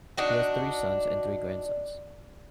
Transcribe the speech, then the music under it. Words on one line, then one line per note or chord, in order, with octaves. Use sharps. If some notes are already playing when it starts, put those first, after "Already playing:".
He has three sons and three grandsons.
D4 D#4 F#4